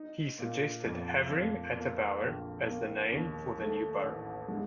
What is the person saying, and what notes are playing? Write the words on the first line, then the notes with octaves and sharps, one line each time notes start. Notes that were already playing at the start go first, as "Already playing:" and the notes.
He suggested Havering-atte-Bower as the name for the new borough.
Already playing: D#4
A#2
F2
F2
A#3
A#1
A#3
D#2
A3
A1
G#3